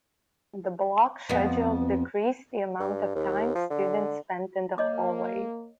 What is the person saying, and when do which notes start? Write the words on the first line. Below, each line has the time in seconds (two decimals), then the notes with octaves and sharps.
The block schedule decreased the amount of time students spent in the hallways.
1.29 F2 B3
2.79 G2
3.15 D#2
3.55 F3
3.70 D3
4.78 A#3 C#5 D#5 D6